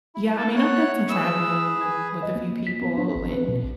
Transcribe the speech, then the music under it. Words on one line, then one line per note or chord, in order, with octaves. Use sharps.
Yeah, I mean, I've done some traveling with with a few people and,
E4
A4
C#5 F#5 F#6
G#4 B4 E6
G#5
D#5
A#3
B6
B3
D4
G#1
B4
B2
A#1